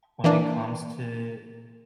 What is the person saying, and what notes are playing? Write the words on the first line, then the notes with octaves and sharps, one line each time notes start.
when it comes to
E3 A#3 D4